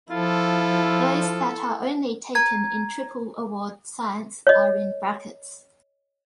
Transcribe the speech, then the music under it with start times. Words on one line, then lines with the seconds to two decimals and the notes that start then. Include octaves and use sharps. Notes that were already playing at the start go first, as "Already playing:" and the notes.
Those that are only taken in Triple Award Science are in brackets.
0.10 F3 E4 F4 A4
2.35 A#5 G#6
4.47 C#5 D#5